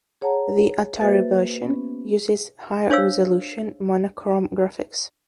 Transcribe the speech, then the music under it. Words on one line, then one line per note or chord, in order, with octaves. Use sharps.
The Atari version uses high resolution monochrome graphics.
G#4 C#5 F#5 A5 A#5
A#3 F#4 B4 C5 E5 A6
B3 C#4
D4 C5 C#5 F5 E6